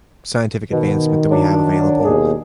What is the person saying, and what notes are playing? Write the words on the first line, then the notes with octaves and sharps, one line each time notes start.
scientific advancement that we have available
B2 D#3
F#3 D4
D#2 B2 G#4